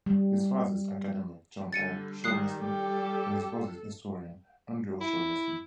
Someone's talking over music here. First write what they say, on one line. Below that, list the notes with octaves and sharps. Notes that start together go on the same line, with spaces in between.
His father is academic John O'Shaughnessy and his brother is historian Andrew O'Shaughnessy.
G3
D3 G3 A6 C#7 D#7
D#3 G3 A#4 D#6 F#6 C7
G3 G4 A4
E4